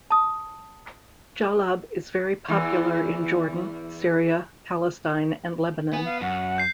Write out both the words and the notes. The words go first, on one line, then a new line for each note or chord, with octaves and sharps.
Jallab is very popular in Jordan, Syria, Palestine and Lebanon.
A5 D#6
E2 E3
B3 G#5
F5
F#2 F#5
G6 C7